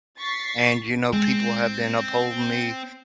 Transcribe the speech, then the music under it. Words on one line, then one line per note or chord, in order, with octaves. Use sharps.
and, you know, people have been upholding me,
C#6 A6 B6 C7
G#3 C4